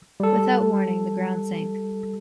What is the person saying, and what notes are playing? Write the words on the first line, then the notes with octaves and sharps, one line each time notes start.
Without warning, the ground sank.
G3 A4